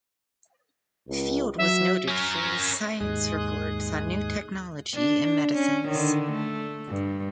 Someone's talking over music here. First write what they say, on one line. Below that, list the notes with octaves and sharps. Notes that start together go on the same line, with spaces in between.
Field was noted for his science reports on new technology and medicines.
C#2
F#3 E5
C#4 A#4
D#2 G#2 G#3 G#4 D#6 F#6
D4
C#4
D3 D#3
A3
G2